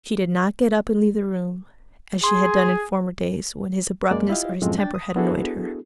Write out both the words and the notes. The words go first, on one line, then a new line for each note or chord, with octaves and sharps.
She did not get up and leave the room, as she had done in former days, when his abruptness or his temper had annoyed her.
G#4 C6
F#2 G#3 A#3 D5
E4 F4 G4 D#5 F5
F#2 A2 F3 G#3 A3 C4
D4 G5 A6
D#6
B3 D4 E4 F#4 G#4 A4